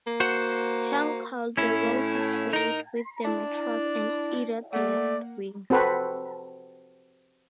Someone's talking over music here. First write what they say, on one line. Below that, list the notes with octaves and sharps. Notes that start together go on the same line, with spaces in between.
Chung called the role he played with the Metros an "idiot left wing".
A#3
F#4 C5 F#5
A2 C#4 E4
D#4 A#4
D4 E4 A5
A3 A#3 D5 F#5
C4 F#4 A4 B4